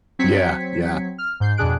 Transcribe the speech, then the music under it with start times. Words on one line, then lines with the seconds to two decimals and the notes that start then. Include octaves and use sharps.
Yeah, yeah.
0.19 F#3 C4 G#6 B6 C#7
1.18 F6
1.40 G#2 G6 C7
1.57 F2 B2 D4 G#4 F#6 D7